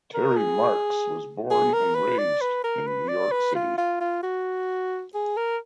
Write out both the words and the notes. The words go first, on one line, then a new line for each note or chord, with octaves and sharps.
Terry Marks was born and raised in New York City.
A#4
G#4
G#4
A#4
B4
D5
B4
A#4
B4
D5
B4
F4
F4
F4
F#4
G#4
A#4